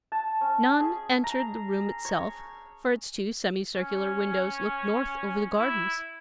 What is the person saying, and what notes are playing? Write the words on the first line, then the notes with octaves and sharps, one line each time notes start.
None entered the room itself, for its two semi-circular windows looked north over the gardens.
A5
C#4
G#4
A#5
C#5
C#4
E4